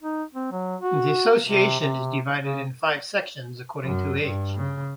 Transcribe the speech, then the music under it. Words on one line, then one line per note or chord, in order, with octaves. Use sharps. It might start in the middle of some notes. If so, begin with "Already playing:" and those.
The association is divided in five sections according to age.
D#4
C4
F#3
F#4
C3
C3
C#3
F#2
G2
C#3